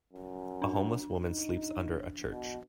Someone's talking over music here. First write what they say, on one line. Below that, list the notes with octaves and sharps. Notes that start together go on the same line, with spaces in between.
A homeless women sleeps under a church.
F#2
D4
D#4
B2